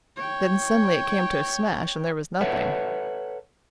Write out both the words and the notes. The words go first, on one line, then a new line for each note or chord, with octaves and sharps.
Then suddenly it came to smash, and there was nothing.
C#5 G5
A4 B4 C#5 E5 F#5